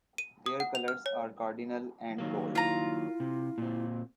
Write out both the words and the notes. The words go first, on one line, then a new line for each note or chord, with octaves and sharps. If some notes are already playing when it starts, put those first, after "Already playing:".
Their colors are cardinal and gold.
D#7
D#6
F#5
F7
F6
C#5
D#3 F#3 A#3
E4 F4 A#5
C3
A#2 C4